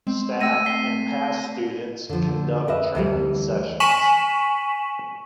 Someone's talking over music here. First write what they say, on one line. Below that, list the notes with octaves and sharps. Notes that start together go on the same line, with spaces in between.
Staff and past students conduct training sessions.
G#3 C4
A3 E6 A#6 D#7
B6 C7 G7
D3 F3
A#4 B4 D#5 E5
D2 E3 G3
G#5 C#6 B6 D#7 E7 F#7